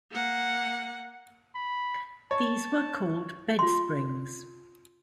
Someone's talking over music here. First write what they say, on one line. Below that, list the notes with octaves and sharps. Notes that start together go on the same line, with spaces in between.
These were called bedsprings.
A#3 F#5
B5
C#5 A5
F4 C6